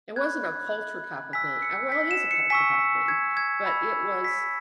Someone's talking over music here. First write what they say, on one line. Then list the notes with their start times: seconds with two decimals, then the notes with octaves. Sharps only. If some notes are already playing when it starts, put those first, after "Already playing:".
It wasn't a culture type a thing uh, well, it is a culture type thing, but it was
0.16 B5 F#6 G#6
1.33 G#5 E6 B6
1.62 C#7
1.92 B6
2.11 E7
2.31 C#7
2.50 G#5 C#6 E6 B6
3.08 G#6
3.37 G#6
3.66 B5 E6
4.24 B6